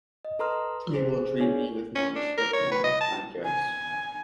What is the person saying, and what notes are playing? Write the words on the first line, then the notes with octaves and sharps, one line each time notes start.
They will treat me with more respect now, I guess.
D#5
A4 B4 A#5 C6 D#6 F6
G#4 C5
B3 D4 G#4 C#5 G#5
C#4
D4
A#4
C#5
B4
D#5
A5
G#5